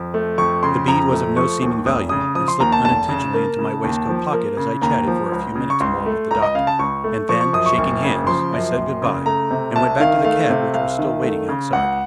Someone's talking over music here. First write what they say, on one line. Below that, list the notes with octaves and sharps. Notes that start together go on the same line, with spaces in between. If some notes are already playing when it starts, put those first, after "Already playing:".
The bead was of no seeming value and slipped unintentionally into my waistcoat pocket as I chatted for a few minutes more with the doctor, and then, shaking hands, I said goodbye, and went back to the cab which was still waiting outside.
Already playing: F2
A3
F2 C#6
C#3 C6
F2 A#5
A3
F3 C#6
D#2
F1 D#6
C#3 D#6
F3 D#6
C6
D#2 A#5
A5
F1 A5
C#3
A#3
C#3
D#2
F3
A#3
C#3
D#2 A#5
F3
C#2
C#3
C#6
C#2 C6
A3
C#2 A#5
D#5
C#3 F5
A5
C#2 C#6
A3
F3 C#6
C#6
F#2 D#6
C#6
F#1
C#3
F3 C6
F#2
F#1
C#3
A3 A#5
C3
C2 A5
D#3 F5
A3 F5
C3
C2 F5
D#3
A3
C#3
C#2 F#5